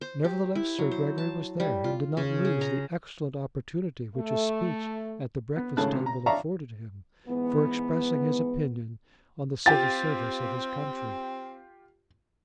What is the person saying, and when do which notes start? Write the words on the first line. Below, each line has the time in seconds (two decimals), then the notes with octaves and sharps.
Nevertheless Sir Gregory was there, and did not lose the excellent opportunity which a speech at the breakfast-table afforded him for expressing his opinion on the Civil Service of his country.
0.01 C5
0.24 G4
0.55 E4
0.79 F#3
0.91 C5
1.18 A5
1.60 G3
1.84 F4
2.17 C#3
2.45 G#4
2.61 A#5
4.16 A3
5.57 B3
5.77 G#1 C#3 A3 A5 F#6
5.93 C3
6.06 A#5
6.26 D5 E5 F5 A5 A#5 C#6
7.27 G#2 E3 B3
9.66 C4 F4 G4 A6